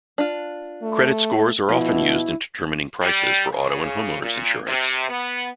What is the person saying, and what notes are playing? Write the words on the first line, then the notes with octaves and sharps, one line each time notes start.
Credit scores are often used in determining prices for auto and homeowner's insurance.
D4 F4
A3
B2 F3 E4
G3
C#3
A#2
C3
B3